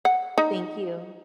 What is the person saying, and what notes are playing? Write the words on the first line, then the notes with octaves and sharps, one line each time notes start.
Thank you.
F#5
D#4